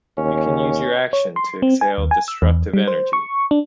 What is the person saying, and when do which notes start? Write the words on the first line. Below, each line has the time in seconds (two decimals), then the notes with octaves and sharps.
You can use your action to exhale destructive energy.
0.18 D#2 C#4
1.13 C#5
1.36 C6
1.62 C4
1.81 G#5
1.98 D#2
2.11 G#5
2.28 E6
2.42 E2
2.74 G3
2.88 C5
3.13 C#6
3.51 D4